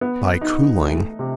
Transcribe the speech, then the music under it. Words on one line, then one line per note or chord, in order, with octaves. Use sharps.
"By cooling?"
B3
D#4
A3
C3